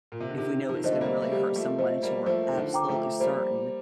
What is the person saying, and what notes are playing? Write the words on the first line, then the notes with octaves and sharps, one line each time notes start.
if we know it's gonna really hurt someone until we're absolutely certain
A#2
C3
D3
C3 D#3 G4
F3
D#3
D3 F3 C5 D#5
A3
G3 A#3
A3
G3 A#3 G4
F3 A3
F3 A3 C5 D#5
G3 A#3
F3 A3 C5
D#3
D3 F3
G5 A#5 D6
F3 A3
G3 A#3 C5